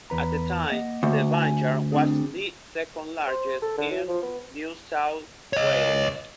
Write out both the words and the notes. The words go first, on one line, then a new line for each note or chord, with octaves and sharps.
At the time the vineyard was the second largest in New South Wales.
E2 B4 A#5
A#3 D#5 F#5
D2
G#5 A5
C4 D4 G#4
C5
A4
D3
F#3
F3
B3
C#5 D#5